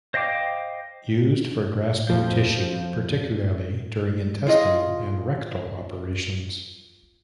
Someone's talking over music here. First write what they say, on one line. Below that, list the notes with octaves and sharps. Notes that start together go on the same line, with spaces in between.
Used for grasping tissue, particularly during intestinal and rectal operations.
C5 D#5 F5 G5 D6
F2 F3 G6
F4 G#4 D#5